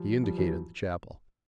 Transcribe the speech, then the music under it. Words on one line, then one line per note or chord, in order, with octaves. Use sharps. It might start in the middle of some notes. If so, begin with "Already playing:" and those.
He indicated the chapel.
Already playing: F3 G3
F3 G3
E3 F#3